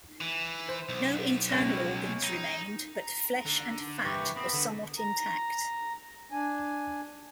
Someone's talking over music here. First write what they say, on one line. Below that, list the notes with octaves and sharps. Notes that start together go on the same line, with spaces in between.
No internal organs remained, but flesh and fat were somewhat intact.
E3
C5
B1
C#2 C#4 A#6
D#4
A#5
D3
G2 E3 G4 B4 C#6
B3 C4 B5
D3
A#5
D4 G#5